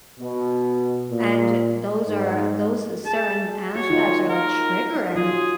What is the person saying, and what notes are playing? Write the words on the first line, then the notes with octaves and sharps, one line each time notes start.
and those are those certain aspects are, like, triggering.
B2
A#2
G#2
G#4 A5
F#4 C#5
D#3 D#4 F4
A#4
F#3 F4 G#4